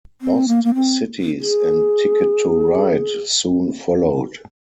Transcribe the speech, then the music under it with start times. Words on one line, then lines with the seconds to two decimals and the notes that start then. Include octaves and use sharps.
"Lost Cities" and "Ticket to Ride" soon followed.
0.21 C4
0.48 A#3
0.64 A#3
0.74 C4
1.41 G#4